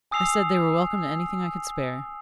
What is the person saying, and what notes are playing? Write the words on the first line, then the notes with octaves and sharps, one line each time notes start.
I said they were welcome to anything I could spare.
G#5 D#6 E6 C7 F7